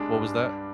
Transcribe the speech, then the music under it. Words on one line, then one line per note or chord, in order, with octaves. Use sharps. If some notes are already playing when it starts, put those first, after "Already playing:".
What was that?
Already playing: C2 G#3 D4
G2
G3